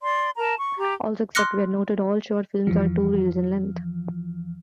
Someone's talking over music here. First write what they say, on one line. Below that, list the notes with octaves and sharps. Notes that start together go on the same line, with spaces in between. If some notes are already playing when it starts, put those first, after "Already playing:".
Also, except where noted, all short films are two reels in length.
D5 C6
A#4 A5 A#5
C#6
G4 A#5
C6 D6 F6 F#6 A#6 C#7
F2 E3 F3